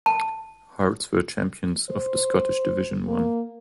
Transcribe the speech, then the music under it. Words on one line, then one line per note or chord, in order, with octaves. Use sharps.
Hearts were champions of the Scottish Division One.
A5
C5
A#3